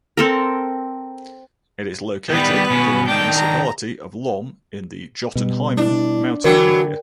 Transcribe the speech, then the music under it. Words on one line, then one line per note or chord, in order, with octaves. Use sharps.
It is located within the municipality of Lom, in the Jotunheimen mountain area.
C4 A4 A#4
D#3 G3 B3 B4
B2 C#4
D#3 D4 G5
A#5
B2 G3
D4 E4
D3 E3 F#3 D4 F#4 A#4 D5 G5